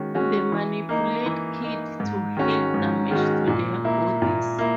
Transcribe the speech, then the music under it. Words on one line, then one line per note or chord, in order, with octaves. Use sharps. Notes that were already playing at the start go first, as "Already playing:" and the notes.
They manipulate ki to heal damage to their bodies.
Already playing: D#3 G#3 C#4 F#4
G#3 C#4 F#4
E3
A#3 D#4
E3
A#3 D#4
G#2
D#3 G#3 C#4 F#4
G#2
D#3 G#3 C#4 F#4
A#2
A#3 E4
A#2
A#3 E4